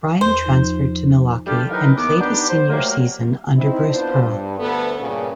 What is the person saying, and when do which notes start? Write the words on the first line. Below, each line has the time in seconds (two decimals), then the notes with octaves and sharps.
Ryan transferred to Milwaukee and played his senior season under Bruce Pearl.
0.21 E2 C5
0.45 F3 D#4 F4
1.47 G3 A3 D4 F4 G4
1.70 D#3 E3 F#3 D#4 A#4 B4
1.97 D#2 B3 D6
2.20 B3 D4 D#4 G4
2.49 C5
2.70 F#3 G3 A3 A#3
3.56 C4 D#4 E4
3.90 B3 D4 F4 C5
4.23 G2
4.59 D2 B3 A4
4.99 G2 A#2 C#3